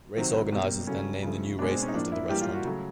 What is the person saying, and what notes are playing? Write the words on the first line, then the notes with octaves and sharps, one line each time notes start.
Race organizers then named the new race after the restaurant.
C3 D#3 F#3 C4
B2 G3 A#3
C#3 F#3 A3 C#4
C#3 F3 A3
B2 G#3 D4
C4
C#4
D#4
A2 F3 A#3 D4
E4
A2 E3 G3 A#3 G4
F4
F#4
C#3 F#3 A3